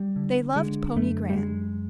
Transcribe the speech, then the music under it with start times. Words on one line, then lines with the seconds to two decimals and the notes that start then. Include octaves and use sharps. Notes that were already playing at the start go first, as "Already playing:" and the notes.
They loved pony Grant.
Already playing: G3
0.16 D3
0.55 D3 G#3
0.96 F#2 A3
1.30 G3
1.36 F#2 G#3